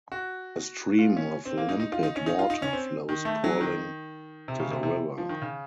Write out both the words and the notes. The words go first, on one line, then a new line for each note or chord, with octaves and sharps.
A stream of limpid water flows purling to the river.
F#4
F4
C#4
C4
A#3
D#4
D#4
F4
D#4
C#4
D#4
F4
D#4
C#4
C4
D#3
A3
F#3
D#3
C3
C#3
C3
C3
F3
D#3
C#3